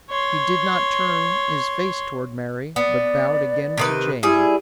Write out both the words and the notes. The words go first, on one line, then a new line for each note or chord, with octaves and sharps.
He did not turn his face toward Mary, but bowed again to Jane.
C#5 C6
B3 D5
C3 D#3 B4
G3 E4 G#4